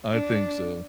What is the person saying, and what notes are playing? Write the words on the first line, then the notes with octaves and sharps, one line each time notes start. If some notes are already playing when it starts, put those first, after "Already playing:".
I think so.
D4